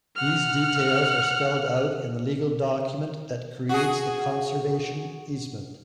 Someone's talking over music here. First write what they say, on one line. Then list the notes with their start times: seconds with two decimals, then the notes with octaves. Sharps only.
These details are spelled out in the legal document that creates the conservation easement.
0.16 F#5 F6
3.69 F#4 G#4